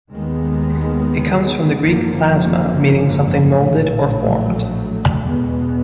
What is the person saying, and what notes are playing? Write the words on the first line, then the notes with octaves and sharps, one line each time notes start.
It comes from the Greek "plasma", meaning "something molded or formed".
D#2 D#3 G#3 B3
G#1 F#2 D3 F3 A#3
A#1 A2 F#3 A3
E2 B2 G#3 B3